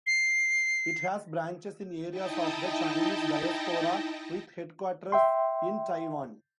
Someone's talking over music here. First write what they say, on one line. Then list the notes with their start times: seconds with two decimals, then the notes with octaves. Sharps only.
It has branches in areas of the Chinese diaspora, with headquarters in Taiwan.
0.07 C7
2.10 D#4 E4 D#5 G5 A5
5.12 E5 G5 C6